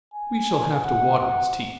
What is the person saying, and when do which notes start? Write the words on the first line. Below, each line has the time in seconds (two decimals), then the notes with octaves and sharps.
"We shall have to water his tea."
0.14 G#5
0.84 F#5
1.18 F#5